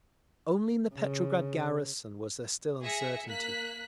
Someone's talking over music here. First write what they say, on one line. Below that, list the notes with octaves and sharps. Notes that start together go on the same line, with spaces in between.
Only in the Petrograd garrison was there still uncertainty.
C#3
G#4 E5 A#6 C#7
A#3 F#6 B6